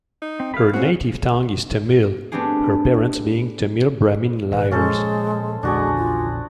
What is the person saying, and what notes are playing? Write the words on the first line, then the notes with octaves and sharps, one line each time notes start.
Her native tongue is Tamil, her parents being Tamil Brahmin Iyers.
D#4
C4
A3 F5 B5
C4 C#4 F#4 F5 F#5
A3 B3 C4 D4 G4 G#4
G#1 A#2 B4
A#2 F3 G#3 C#4 A4 C5
A#1 E2 D3 G#3 D4 F#4 G#4
F4